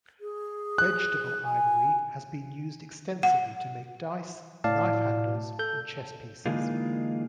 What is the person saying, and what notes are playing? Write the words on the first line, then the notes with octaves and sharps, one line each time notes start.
Vegetable ivory has been used extensively to make dice, knife handles, and chess pieces.
G#4
F#6
G#5
F#5
A2 D5 F5 A5
A4 G6
D3 E3 G#3 A#3 D#4 F4